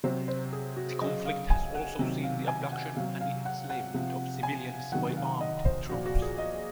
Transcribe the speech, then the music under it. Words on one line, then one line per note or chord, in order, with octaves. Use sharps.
The conflict has also seen the abduction and enslavement of civilians by armed troops.
C3 F#3 C5
C5
G#4
F#4
C#3 F#3 D#5
F5
G#5
F#5
C3 D#3 F#3
F5
G#5
F#5
C3 F#3 F5
F5
F#5
F#5
C3 F3
G#5
C3 D#3 F#3 F#5
F5
D#5
C5
A#2 F3 F#4
F#4
G#4
D#5